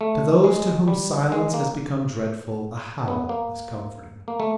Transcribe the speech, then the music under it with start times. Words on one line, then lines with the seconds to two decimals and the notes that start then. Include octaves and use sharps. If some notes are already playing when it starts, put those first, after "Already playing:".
To those to whom silence has become dreadful a howl is comforting.
0.01 A3
0.44 G#3
0.88 G3
1.32 G#3
1.54 A#3
3.08 B3
3.29 A#3
4.28 A#3
4.40 A3